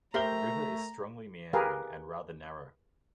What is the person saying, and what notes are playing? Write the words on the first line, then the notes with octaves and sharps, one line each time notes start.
The river is strongly meandering and rather narrow.
A3 G4 A#4 C5 E5 A#5 G7
G4 G#4 A#4 B4 F5